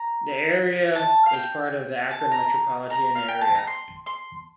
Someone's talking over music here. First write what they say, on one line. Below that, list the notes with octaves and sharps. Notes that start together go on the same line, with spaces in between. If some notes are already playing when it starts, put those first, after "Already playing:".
The area is part of the Akron metropolitan area.
Already playing: A#5
A5
F5
G5
A5
A#5
A#5
F5
G5
A5
A#5
C6
C6